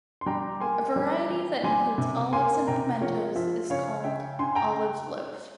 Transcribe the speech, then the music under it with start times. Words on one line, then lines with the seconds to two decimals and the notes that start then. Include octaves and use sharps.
A variety that includes olives and pimentos is called olive loaf.
0.21 C6
0.26 G3 G5 A#5
0.61 A#3 G#5 C6
0.96 G3
1.30 E3
1.64 G3 G#5 C6
1.98 C3
2.33 A#3 G#5 C6
2.68 C3 G5 A#5
3.01 F3 A#4 C#5
3.36 F3 C5 E5
3.70 C#3 C#5 F5
4.04 C#3 E5 G5
4.39 C#3 G#5 C6
4.55 G5 A#5